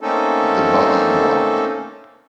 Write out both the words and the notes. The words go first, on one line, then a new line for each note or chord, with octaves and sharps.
The Body You Want.
A3 A#3 C4 C#4 D#4 A4